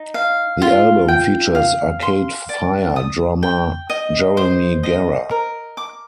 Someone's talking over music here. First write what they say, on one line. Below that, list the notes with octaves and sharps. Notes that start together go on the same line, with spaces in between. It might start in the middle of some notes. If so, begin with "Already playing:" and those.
The album features Arcade Fire drummer Jeremy Gara.
Already playing: D#4
F5
F4
G5
F5
C6
D5
D#6
G5
D#5
C5
D#5
A#4
D6